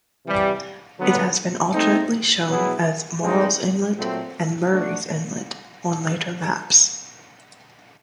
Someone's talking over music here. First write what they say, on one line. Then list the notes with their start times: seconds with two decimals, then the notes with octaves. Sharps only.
It has been alternately shown as "Morrall's Inlet" and "Murrays Inlet" on later maps.
0.25 C3 E3 G3
0.99 D3 F#3 B3
1.73 A3 C4 D#4
2.47 B2 F#3 B3 E4 G#4
3.22 G2 E3 G#3 C4 D#4
3.96 A#2 F#3 A3 C4
4.70 A3 D4 F#4